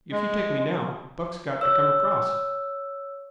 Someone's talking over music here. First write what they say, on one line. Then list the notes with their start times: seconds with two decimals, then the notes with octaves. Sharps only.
If you take me now, Buck's got to come across.
0.12 G#3
1.61 C#5 E6